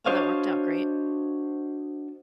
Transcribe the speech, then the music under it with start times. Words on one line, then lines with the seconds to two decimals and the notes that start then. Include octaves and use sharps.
Well, that worked out great.
0.06 D4 F#4 C5 C#5 D#5 F5